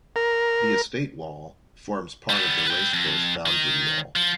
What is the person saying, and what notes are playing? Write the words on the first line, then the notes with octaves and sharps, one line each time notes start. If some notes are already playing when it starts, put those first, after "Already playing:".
The estate wall forms part of the racecourse boundary wall.
A#4
G3 B3
B4 G5
F2
D#3 D#4
F3